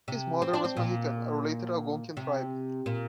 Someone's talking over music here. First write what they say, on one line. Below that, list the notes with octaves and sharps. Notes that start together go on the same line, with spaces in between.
His mother was Mahican, a related Algonquian tribe.
C3
C4
D4
C4
A#2
C3
A#2